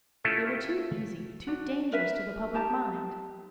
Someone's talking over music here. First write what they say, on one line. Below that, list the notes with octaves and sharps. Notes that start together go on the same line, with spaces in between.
They were too easy, too dangerous to the public mind.
A3 C#4 E4 F4 G4 A4
D4 F#4
A#4 B4 E5
D#4 G4 A5